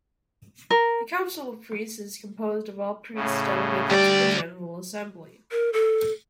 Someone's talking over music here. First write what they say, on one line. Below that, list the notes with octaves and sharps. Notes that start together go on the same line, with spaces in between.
The Council of Priests is composed of all priest-delegates to the General Assembly.
A#4
A2 C#3
D2 G3 D5
A#4
A4